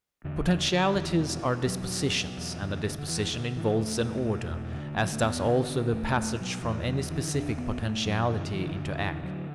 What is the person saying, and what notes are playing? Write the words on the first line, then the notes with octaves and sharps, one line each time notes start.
Potentialities are dispositions, and a disposition involves an order, as does also the passage from any specific potentiality into act.
E2 D3
D3
D3
E2 E3
B2
B2
E2 F#3
B2
B2
E2
D3
D3
D3
E2 E3
D3
D3 E3
E2 A3
B2
B2
E2
D3
D3
F#3
A3
E2 B3
D3
D3
E2 A3
B2 A3
B2 F#3
E2 E3
D3 F#3
D3 E3
E2 D4
B2 B3
B2 A3
F#2 F#3
D3 E3
D3 E3
E2 D3
D3 E3
D3 F#3